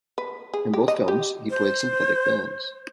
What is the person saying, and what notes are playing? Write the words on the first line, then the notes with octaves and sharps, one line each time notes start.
In both films he played sympathetic villains.
B4
G#4
G4
D#5
G4
C5